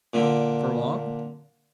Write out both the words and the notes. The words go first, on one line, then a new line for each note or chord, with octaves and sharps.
"For long?"
A#2 D3